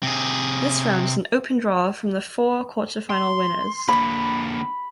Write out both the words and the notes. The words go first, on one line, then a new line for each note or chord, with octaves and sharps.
This round is an open draw from the four Quarter Final winners.
C3 G#4
C6
D3 A#3 B5